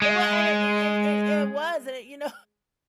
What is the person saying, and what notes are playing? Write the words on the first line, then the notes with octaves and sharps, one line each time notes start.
It w an it we and and and it was, and it you know,
G#3